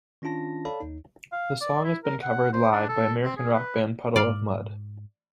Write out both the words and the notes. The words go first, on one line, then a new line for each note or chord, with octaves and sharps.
The song has been covered live by American rock band Puddle of Mudd.
D#3 C#4 D4 F4 A5 A#6
A4 C#5 D5 F5 A5 B5
D#2 D#4
F5
D5
E4
A#4
F#5
C5
D4
A4
C4
G#4
B4
G#2 D5 F5